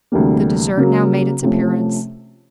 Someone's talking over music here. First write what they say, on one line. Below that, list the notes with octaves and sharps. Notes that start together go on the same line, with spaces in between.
The dessert now made its appearance.
D2 C3 E3 G3 A#3
C#3 F#3 A#3
C3 F3 A3 C#4